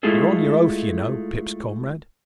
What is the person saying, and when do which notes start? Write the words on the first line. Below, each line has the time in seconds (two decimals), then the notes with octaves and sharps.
"You're on your oath, you know, Pip's comrade?"
0.03 G#3 A3 E4 F4 G#4 A4